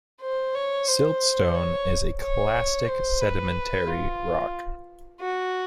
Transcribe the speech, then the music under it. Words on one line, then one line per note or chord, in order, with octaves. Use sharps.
Siltstone is a clastic sedimentary rock.
C5
C#5
C5
C#5
C#5
C5
B4
F4
F#4